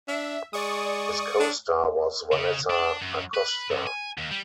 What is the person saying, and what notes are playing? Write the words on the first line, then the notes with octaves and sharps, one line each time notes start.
His co star was Vanessa Acosta.
D4 E5
G#3 D5 C#6 D#6
D4
C#3
D4
F#2
B4
F#2
G#5
D#2
G3